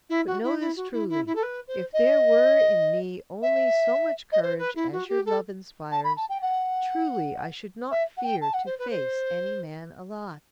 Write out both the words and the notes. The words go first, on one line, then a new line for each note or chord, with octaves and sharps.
But know this truly: if there were in me only so much courage as your love inspires, truly I should not fear to face any man alive.
E4
F#4
E4
E4
F#4
E4
E4
E4
A4
B4
C5
D#5
E5
D#5
C5
B4
E4
F#4
G4
A4
A5
B5
A5
G5
F#5
E5
F#5
G5
A5
F#5
C5
B4
C5